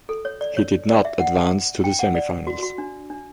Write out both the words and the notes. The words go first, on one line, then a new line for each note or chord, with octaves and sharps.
He did not advance to the semifinals.
A4
C#5
D5
C#5
D5
E5
F#5
G5
F#5
D5
F#4
F#4
D4
D4